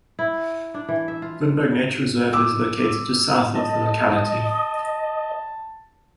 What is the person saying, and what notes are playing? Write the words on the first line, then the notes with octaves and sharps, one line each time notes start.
Vinberg Nature Reserve is located just south of the locality.
E4
D4
E3
E5
F4
D6 E6
D#5 A5